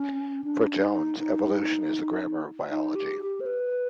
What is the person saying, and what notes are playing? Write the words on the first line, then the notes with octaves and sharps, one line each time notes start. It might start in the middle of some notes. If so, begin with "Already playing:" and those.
For Jones, 'evolution is the grammar of biology'.
Already playing: C#4
D4
D4
D#4
D#4
D#4
G4
G4
C5
B4